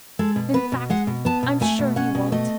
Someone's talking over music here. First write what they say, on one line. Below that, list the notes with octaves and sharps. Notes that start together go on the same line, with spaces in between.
In fact, I'm sure he won't.
G#3 A4
B2
B3 B4
B2
G#3 F#5
B2
B3 A5
B2
A3 G#5
B2
C#4 F#5
B2
A3 D#5